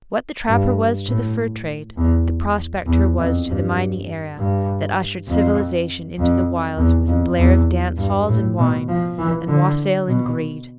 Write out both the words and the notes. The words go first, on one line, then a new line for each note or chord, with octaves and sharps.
What the trapper was to the fur trade, the prospector was to the mining era that ushered civilization into the wilds with a blare of dance-halls and wine and wassail and greed.
G2
A2
E2
E2
F2
G2
G2
F2
F2
E2
F2
E2
G2
A2
B2
F3
E3
D3
B2